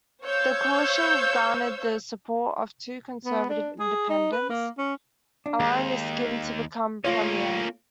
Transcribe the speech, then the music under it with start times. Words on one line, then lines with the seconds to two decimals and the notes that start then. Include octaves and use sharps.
The Coalition garnered the support of two conservative independents, allowing Askin to become Premier.
0.24 C5 C#5 F5 C#6 E6 G6
3.25 B3
3.49 D4
3.79 G#4
4.09 D#4
4.32 B4
4.50 A#3
4.78 C#4
5.46 D4
5.60 D#2 G#3
7.04 A3 A#3 C#4 F4 C#5